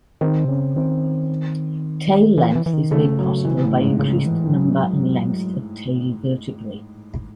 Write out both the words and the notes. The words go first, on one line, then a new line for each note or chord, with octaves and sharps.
Tail length is made possible by increased number and length of tail vertebrae.
D#3 C4
C3
C#3 C#4
D#3 C4
E3
E3
E3
D#3
C#3 A3
F#3
E3
A2
G#2
C#3
E3
F#3